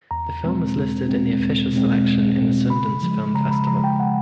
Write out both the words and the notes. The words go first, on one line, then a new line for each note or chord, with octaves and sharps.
The film was listed in the official selection in the Sundance Film Festival.
E2 A#5
B2 G#3 C4
E2
B2 G#3 C4
E2
B2 G#3 C4
E2
B2 G#3 C4
C#3 B5
F3 G#3
C#3 A#5
B5
F3 G#3 A#5
G5
C#3 F#5